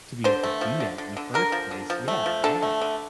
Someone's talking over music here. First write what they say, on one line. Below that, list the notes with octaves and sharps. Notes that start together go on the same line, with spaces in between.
to be able to do that in the first place? Yeah, yeah.
D3 C5
A3
F3
D3
D3
D3
D3 A#4
F3
D3
F3
A3
F3
D3 A4
A3
D3